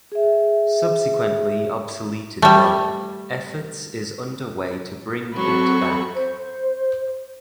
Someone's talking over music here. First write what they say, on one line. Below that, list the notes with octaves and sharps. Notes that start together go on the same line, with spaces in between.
Subsequently obsoleted there, efforts is under way to bring it back.
G#4 E5
G3 A3
F#3 C4 F#4 A4 B5 C#6
C5